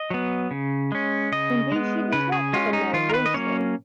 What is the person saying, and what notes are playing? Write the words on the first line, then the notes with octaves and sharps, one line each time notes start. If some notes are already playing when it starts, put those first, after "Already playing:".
In these she does not take a male voice though.
Already playing: D#5
F#3 B3
C#3
G#3 C#4
C#3 D#5
G#3 B3
C#3 B4
G#4
G#3 C#4 F4
D#4
D#3 F4
A#4
B4
D#5
F#3 A#3 C#4 C#5